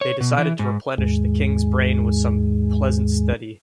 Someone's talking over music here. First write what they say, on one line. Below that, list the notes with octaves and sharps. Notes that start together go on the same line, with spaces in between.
They decided to replenish the king's brain with some pleasant study.
C#5
B2
E3
G#2
D#2 G#2 G#3